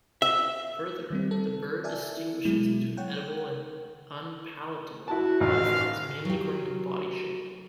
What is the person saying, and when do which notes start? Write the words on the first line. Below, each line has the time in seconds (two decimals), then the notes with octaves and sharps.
Further, the bird distinguishes between edible and unpalatable butterflies mainly according to body shape.
0.22 E5
1.10 D#3 G3 C4
1.31 A4
1.84 D5 E5 G#5 A5
2.17 E4
2.45 B2 F#3 G#3 E4
2.97 C#5 F#5 G5
5.08 E4 F#4 A5
5.40 A1 D#3 F4 F5
6.25 F#3 G4